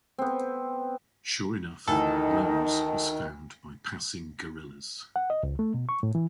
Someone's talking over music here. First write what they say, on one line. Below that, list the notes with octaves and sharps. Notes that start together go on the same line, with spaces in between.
Sure enough, Rose was found by passing guerrillas.
B3 C4
D2 D#3 E3 D#4 A4
F#5
D#5
C#2
A3
B2
C#6
A2
E3